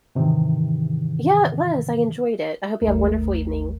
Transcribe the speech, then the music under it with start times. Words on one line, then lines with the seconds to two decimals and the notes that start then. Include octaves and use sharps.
Yeah, it was, I enjoyed it, I hope you have a wonderful evening.
0.15 G#2 C3 D#3 E3
2.81 G#1 D#2 D#3 A3 A#4